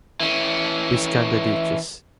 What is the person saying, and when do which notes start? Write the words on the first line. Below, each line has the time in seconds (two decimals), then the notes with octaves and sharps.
We scan the ditches.
0.20 E3 C#4